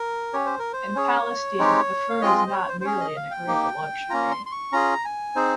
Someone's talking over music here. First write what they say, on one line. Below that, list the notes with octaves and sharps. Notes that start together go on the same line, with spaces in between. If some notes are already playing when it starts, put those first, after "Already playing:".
In Palestine, the fruit is not merely an agreeable luxury.
Already playing: A#4
C#4 G4 C#5
C5
A#4
C5
C#4 G#4 C#5
G#3 C4 D#4 G4
F5
G#3 C4 F4 G#4 D#5
D#5
C5
C#5
C5
C5
C#4 G#4 C#5
D#5
F5
G5
A#3 D#4 G4
A#3 C#4 F4 A#5
C6
C6
C#6
C#4 F4 G#4 A#5
G#5
C4 D#4 G#4 C5